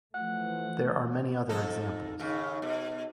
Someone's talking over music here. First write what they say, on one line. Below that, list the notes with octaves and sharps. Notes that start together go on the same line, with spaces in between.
There are many other examples.
E3 F3 A3 F#5
F2 D#4 A4
D#2 C#3
B2